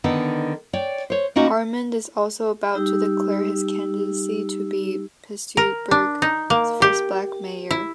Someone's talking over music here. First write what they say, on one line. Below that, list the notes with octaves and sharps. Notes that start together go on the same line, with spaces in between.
Harmond is also about to declare his candidacy to be Pittsburgh's first black mayor.
D3 D#3 B3 D#4 A4
C#5 D5 G5
C5 C#5
A#3 C#4 D#4 F#4
G3 D#4 G4 E6
A#4
D4
D#4
A#3
G4
E4